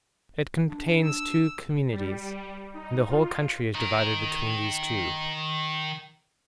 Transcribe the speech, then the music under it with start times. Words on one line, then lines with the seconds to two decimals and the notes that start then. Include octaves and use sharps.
It contains two communities, and the whole country is divided between these two.
0.66 D4
1.04 E6
1.92 G3
2.74 D#4
3.08 F4
3.75 D#3 A#4